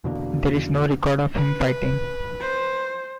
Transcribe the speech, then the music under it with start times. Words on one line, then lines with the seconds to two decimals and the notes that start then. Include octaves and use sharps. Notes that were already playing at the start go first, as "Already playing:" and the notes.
There is no record of him fighting.
0.04 E2 B2 D3 A#3
1.36 B4
2.41 C5